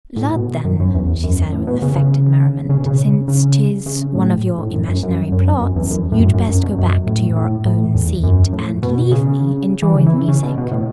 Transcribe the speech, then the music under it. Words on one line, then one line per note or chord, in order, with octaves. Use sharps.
"Lud, then," she said with affected merriment, "since 'tis one of your imaginary plots, you'd best go back to your own seat and leave me enjoy the music."
A2
B2
F#2
F#2
E2
F#2
A2
B2
C#3
C#3
C#3
B2
C#3
C#3
C#3
A2
A2
F#2
F#2
F#2
F#2
F#2
E2
F#2
A2
F#2
F#2
F#2
B2
F#2
A2
A2
A2
E2
F#2
A2
B2
C#3
E3
C#3
E3
C#3
B2
B2
A2